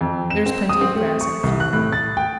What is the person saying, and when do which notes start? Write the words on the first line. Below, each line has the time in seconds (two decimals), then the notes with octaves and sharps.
There is plenty of grass and fuel.
0.01 F2
0.30 E7
0.46 C4
0.69 D#6
0.81 C4
0.95 A3
1.21 C#6
1.43 C2
1.60 F#6
1.73 A2
1.92 A6
2.17 G5